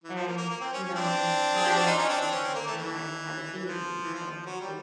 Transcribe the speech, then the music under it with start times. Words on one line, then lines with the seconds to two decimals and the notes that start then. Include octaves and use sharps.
And, you know, in my situation, I had a baby and with
0.04 E3
0.15 F3
0.27 A#3
0.37 A#3
0.49 A#3
0.61 C4
0.73 C#4
0.84 C#4
0.94 C4 D4
1.56 G#4
1.66 G4
1.76 F#4
1.86 D#4 F4
1.98 C#4 D#4
2.09 C4 D4
2.21 C4 D4
2.31 C#4
2.44 C4
2.55 A#3
2.67 A3
2.77 E3
3.66 E3
3.68 F3
4.03 E3
4.14 F3
4.31 F3
4.46 F#3
4.60 G3